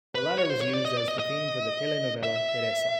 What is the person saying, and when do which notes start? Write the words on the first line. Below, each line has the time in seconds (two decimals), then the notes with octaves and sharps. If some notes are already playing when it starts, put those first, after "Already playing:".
The latter was used as the theme for the telenovela 'Teresa'.
0.15 B4
0.38 C#5
0.50 C5
0.61 C#5
0.74 D5
0.85 D#5
0.97 D5
1.08 D#5
1.19 D#5
2.23 E5